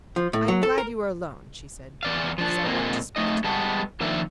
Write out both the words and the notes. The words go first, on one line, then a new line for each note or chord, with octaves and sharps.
"I am glad you are alone," she said, "because I want to speak to you."
F3
A2
F#3
A4
A#4
E2 D5 F5
F3 D4
A#2 D3 G#3 A#3 C4
F#3 A3 D#4 D#5
G3 G#3 B3 A5
D#3 F3 A#3 D4 E5 F5